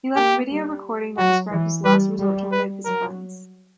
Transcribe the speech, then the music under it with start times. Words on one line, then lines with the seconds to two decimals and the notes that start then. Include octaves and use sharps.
He left video recording that describes his last resort to live his friends.
0.16 A#3 G4
0.50 G3
1.17 F#3 F#4
1.52 E3
1.84 G3 B4
2.19 G3
2.52 B4
2.85 F#3 A#4